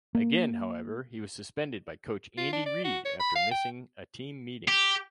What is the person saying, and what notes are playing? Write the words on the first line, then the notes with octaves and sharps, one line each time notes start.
Again however, he was suspended by Coach Andy Reid after missing a team meeting.
A#3
F4
D4
D5
F#4
C#5
B5
F5
G5
G4